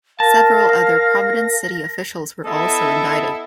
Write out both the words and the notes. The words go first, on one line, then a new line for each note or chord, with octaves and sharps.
Several other Providence city officials were also indicted.
A#4 F5 A5 A#6
B3 E4 A4 D#5 E5